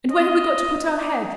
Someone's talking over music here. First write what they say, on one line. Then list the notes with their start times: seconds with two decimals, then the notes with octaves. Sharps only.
And where have we got to put our heads?
0.11 D#5
0.99 D5